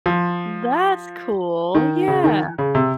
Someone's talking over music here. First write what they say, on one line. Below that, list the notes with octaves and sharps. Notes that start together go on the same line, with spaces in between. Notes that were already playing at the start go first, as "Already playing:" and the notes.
That's cool. Yeah.
F3
D#3
C#3
D#3
C#3
C3